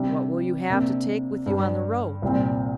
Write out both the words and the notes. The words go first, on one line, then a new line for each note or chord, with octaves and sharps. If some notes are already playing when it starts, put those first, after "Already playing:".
"What will you have to take with you on the road?"
Already playing: C3 G3 D4
C3 A#3 D4
G2 G3 D4
C2 A#2 G3 C4